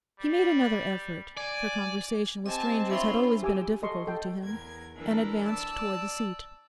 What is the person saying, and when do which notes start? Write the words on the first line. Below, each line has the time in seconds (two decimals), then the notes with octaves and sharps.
He made another effort--for conversation with strangers had always been a difficulty to him--and advanced towards the seat.
0.20 G3
1.37 D5 G#5
2.46 C4 G4 D#5 G#5 A5
2.89 D4 F4 C#5 E5 G5 G#5 B5 C6
3.43 G4 G#5 D6 E6
3.82 A4 D#5 C6 C#6
4.07 A4 G5
4.43 E2 A#4 G#6
4.97 E3 D4 E4 A4 A#4
5.41 D5 A5 E6